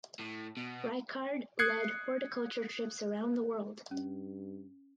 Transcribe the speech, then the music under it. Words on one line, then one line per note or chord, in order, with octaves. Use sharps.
Reichard led horticulture trips around the world.
A2
B2
D#6 F#6 G#6 C7 C#7
G2 C#4